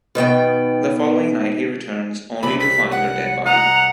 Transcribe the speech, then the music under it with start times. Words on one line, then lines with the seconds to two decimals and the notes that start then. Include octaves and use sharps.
The following night he returns, only to find her dead body.
0.15 B2 D#3 B3 G5
2.43 C2 C3 B5
2.60 B6
2.92 F#5
3.46 D#5 F#5 A#5